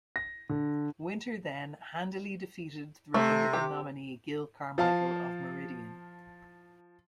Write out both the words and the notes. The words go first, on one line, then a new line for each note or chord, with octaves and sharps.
Winter then handily defeated the Republican nominee Gil Carmichael of Meridian.
A#6
D3
C3 A3
G4
F3 F5 A5